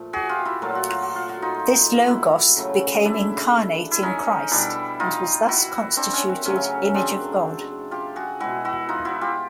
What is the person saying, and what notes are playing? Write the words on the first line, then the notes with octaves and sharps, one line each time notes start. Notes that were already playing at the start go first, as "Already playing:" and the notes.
This Logos became incarnate in Christ and was thus constituted Image of God.
Already playing: A#2 F3 A3
F#4 G#4
F4 G4
E4 F#4
A#2 F#3 A3 F4
F#4
F4
F#4
F4
F#4
D#4 F4
E4 F#4
C#3 F#3 A3
D4 E4
E4
C#4 D#4
B2 G3 D4 E4
D#4 F4
E4 F#4
C4 D4
C#4
C4
C#3 F#3 A3 C#4
C4 D4
F4 G4
F#4 G#4
B2 G#3 E4 F#4
E4 F#4
D#4 F4
E4 F#4
F4 G4